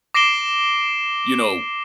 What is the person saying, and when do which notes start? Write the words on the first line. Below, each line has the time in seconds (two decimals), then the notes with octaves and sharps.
you know,
0.14 D6 A#6 C7 D7 E7 G7